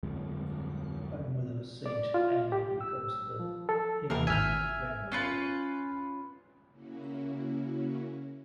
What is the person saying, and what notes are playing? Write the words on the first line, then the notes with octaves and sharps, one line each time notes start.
Her mother Saint Anne becomes the heavenly grandmother.
D1 G1 F2 G#3
D5
F4
G4
E6
F3
A4
D#2 E3 A#4 F5
G#1 E5 G#5 F6 G6
C#4 F4 B4
C#3 A#3 C#4 E4 F#4